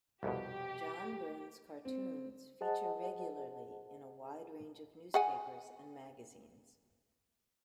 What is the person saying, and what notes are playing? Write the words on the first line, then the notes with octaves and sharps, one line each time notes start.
John Byrne's cartoons feature regularly in a wide range of newspapers and magazines.
C2 F2 B2 G4
C4
G#4 C5 D#5 F#5 A5
G#4 F#5 G#5